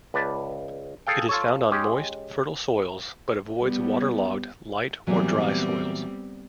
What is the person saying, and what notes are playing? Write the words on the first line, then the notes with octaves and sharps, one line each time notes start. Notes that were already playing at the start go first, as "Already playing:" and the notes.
It is found on moist, fertile soils, but avoids waterlogged, light or dry soils.
C#2 B4 D5 A5
G#4 A4 F5 G5
F4 A4 C#5
G#3 C#4 G4
G3 B3
A#2 E3 F#3 G3 B3 C4